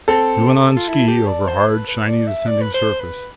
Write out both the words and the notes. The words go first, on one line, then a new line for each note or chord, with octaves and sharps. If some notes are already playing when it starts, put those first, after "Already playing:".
We went on ski over hard shiny descending surface.
C4 A4
F4
E4
G4
D5
C5
C5
B4
B4
D5
E5
D5
B4
C5
B4